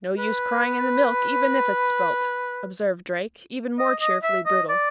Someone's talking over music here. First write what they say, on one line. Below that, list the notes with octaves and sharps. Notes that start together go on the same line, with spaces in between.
"No use crying in the milk even if it's spilt," observed Drake, even more cheerfully brutal.
B4
D#5
D#5
E5
D#5
D5